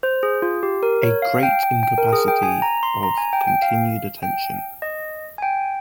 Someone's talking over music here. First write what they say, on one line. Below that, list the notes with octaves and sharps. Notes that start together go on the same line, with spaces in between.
A great incapacity of continued attention.
C5
G#4
F4
G4
A#4
C#5
F5
G5
G5
G5
A#4
G#4
G5
G#5
A#5
C6
A#5
G#5
G5
G5
F5
G5
D#5
G#5
G5